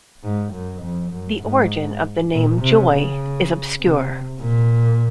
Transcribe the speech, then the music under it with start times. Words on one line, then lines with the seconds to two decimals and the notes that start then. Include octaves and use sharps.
The origin of the name "Joy" is obscure.
0.23 G#2
0.53 F#2
0.83 F2
1.12 F#2
1.43 G#2
2.32 A#2
2.61 C3
2.92 C#3
3.81 C3
4.40 A#2